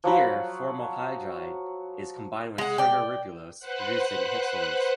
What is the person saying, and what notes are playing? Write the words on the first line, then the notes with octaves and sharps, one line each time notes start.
Here formaldehyde is combined with sugar ribulose, producing hexulose.
F3 F#3 F#4 B5
G#3 F#5
D5 G5
B4 C5 F#5 F#6